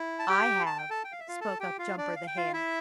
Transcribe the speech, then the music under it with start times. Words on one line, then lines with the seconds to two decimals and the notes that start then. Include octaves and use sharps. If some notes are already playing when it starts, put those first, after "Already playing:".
"I have," spoke up Jumper the Hare.
Already playing: E4
0.19 A5
0.29 G4 G5
0.66 A5
0.78 G5
0.90 A4 A5
1.04 G5
1.12 F5
1.20 E5
1.28 F4 F5
1.41 A4 A5
1.60 G4 G5
1.79 F4 F5
1.97 D4 D5
2.16 F5
2.27 G5
2.37 F4 F5
2.53 E4 E5